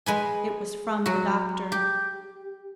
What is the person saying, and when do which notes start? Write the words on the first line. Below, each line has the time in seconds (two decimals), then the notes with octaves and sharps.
It was from the doctor.
0.06 G#3 B4 G#5
1.06 F#3 F#4
1.72 G4